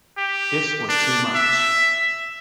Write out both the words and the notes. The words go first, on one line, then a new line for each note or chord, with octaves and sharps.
This was too much.
G4
D4
E5